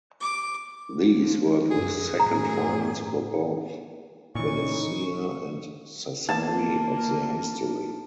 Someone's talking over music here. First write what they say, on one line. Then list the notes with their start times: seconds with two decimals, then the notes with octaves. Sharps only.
These were the second Finals for both Venezia and Sassari of their history.
0.21 D6
1.21 F3
1.71 F#2 G#4
2.20 F#2 A2 A#5
4.35 A#2 E3 C#4 D#4 C#6
6.29 A#3 A5